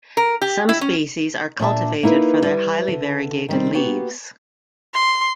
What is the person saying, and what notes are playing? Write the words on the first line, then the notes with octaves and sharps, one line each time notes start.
Some species are cultivated for their highly variegated leaves.
A#4
G4
E4
C#4
A#2 D4 E5 A5
A#3 D#4 E4 A#4 B4
G3 B4 E5
D3
D#3 G3 C4
A#3 B3 F#4 G4
C6